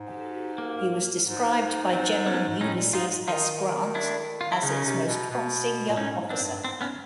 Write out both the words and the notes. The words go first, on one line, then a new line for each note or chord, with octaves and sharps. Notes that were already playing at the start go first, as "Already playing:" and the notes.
He was described by General Ulysses S. Grant as its most promising young officer.
Already playing: G#2
A#3
G#2
C4
B3 C#4
G#2
A2 C#4 D#4
A#2
G#2 D#4 F4
D#3 D#4 F4
D4 E4
F4
E4
C#3 C#4 D#4
C3
B2
B2
A#2
A2 C#4 D#4
G#2
C4 D4
G2
G#2 C4
B3 C#4